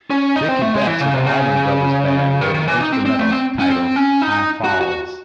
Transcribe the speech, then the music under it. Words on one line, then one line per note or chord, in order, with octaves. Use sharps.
Dickey Betts of The Allman Brothers Band wrote an instrumental titled "High Falls".
C#4
D#4
C4
A3
G#3
E3
C#3
C3
C#3
D#3
D#3
E3
D#4
C4
C4
A3
C4
C#4
C4
C#4
D#4
F#4
F#4